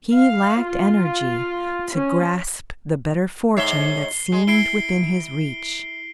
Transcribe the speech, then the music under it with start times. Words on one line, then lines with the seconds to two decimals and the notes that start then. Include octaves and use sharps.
He lacked energy to grasp the better fortune that seemed within his reach.
0.13 F5
0.65 F4
1.91 C#4
3.57 G#2 C#5 E5 C7 G7
4.32 G#3
4.47 E4 C7 D7 G7